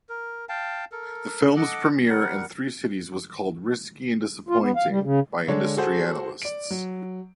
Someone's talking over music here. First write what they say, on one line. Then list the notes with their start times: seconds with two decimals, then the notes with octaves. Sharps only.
The film's premiere in three cites was called "risky" and "disappointing" by industry analysts.
0.09 A#4
0.49 F5 G5 A5
0.92 A4 A#4
1.56 A4 D#5 F#5 D6
2.09 G3 A#4 F#5
4.49 F4
4.61 B3
4.76 F5
4.89 G3
5.03 C#3
5.48 D3 G#3 D4 C#5
5.77 F#4 G#4 A4 C5 F#5
6.42 D5 D7
6.70 F#3